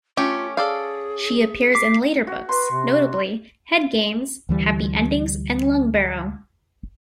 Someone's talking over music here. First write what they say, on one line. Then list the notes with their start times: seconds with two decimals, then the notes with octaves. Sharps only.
She appears in later books, notably "Head Games", "Happy Endings", and "Lungbarrow".
0.17 A3 C#4 F4 G4
0.57 G#4 A4 D5 F5
1.72 D6 B6 C7
2.27 F#4
2.49 B4 C6
2.71 C3
4.49 D2 E3 G3